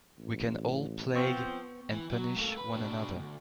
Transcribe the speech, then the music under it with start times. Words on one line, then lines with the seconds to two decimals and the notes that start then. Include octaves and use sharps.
We can all plague and punish one another.
0.18 A1
1.14 F3 B3 C4 C#6
1.91 E3
2.11 F#3
2.36 A3 A#3
2.57 B4
2.74 B2 D4
3.16 D2 G#2